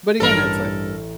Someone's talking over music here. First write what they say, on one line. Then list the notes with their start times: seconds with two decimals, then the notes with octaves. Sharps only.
But again, it's like
0.20 A1 G2 A4 A#4 D#5 B5